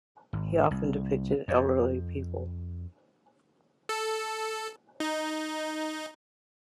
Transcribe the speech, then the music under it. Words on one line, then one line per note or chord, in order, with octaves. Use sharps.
He often depicted elderly people.
G#1
C2
F2
A4
D#4